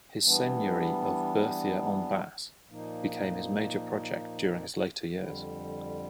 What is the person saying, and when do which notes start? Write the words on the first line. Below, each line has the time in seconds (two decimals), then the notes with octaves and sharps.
His seigneury of Berthier-en-bas became his major project during his later years.
0.24 E3 G3 B3 D4
2.69 A#2 F3 A#3 D#4
5.14 F2 D3 G3